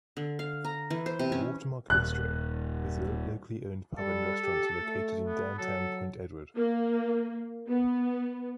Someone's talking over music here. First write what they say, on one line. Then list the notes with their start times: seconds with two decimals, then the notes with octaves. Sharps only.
The Watermark Bistro is a locally-owned pub and restaurant located in downtown Point Edward.
0.17 D3
0.39 F5
0.64 A#5
0.90 E3
1.06 C5
1.19 C3
1.32 C#4
1.90 D#1 F#6
3.98 G3 A4
4.43 G4
4.83 A3
5.27 B3
5.58 F#3 A4
6.56 A#3
7.68 B3